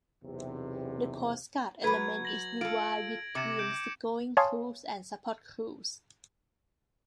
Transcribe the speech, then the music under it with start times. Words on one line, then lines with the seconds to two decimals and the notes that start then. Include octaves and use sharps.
The Coast Guard element is divided between seagoing crews and support crews.
0.24 B1 E2 C3
1.84 F#3 B4 G#6
2.25 A#6 F#7
2.61 F4 A4 D7
3.35 C3 D6 C#7 E7
3.59 G6 D7
4.37 C#5 F5 G#5 A5 C6 D#6